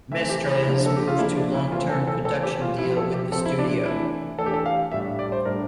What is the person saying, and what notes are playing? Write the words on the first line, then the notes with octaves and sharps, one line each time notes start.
Mestres moved to long term production deal with the studio.
E3 A3 C4 E5
G4
E4
D3 F3 A#3 D4
A4
G4
F4
D3 F3 A#3 D4 E4
D4
E4
E3 A3 C4 F4
A4
A4
E3 A3 C4 A4
G4
F4
C3 F3 C4 E4
A4
G4
C3 F3 C4 A4
E4
D4
E3 A3 D4 E4
E3 A3 D4 A4
G4
A4
F5
A2 G3 D4 E5
D5
C5
A2 G3 D4 A#4